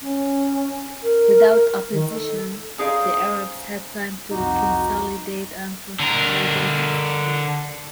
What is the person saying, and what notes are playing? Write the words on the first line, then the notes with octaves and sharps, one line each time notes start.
Without opposition, the Arabs had time to consolidate and fortify their positions.
C#4
A#4
D#3
A4
C#4 D#4 G#4 C5 D5 F5
C2 F2 D#4 F#4 A#5 D6
D3 A#4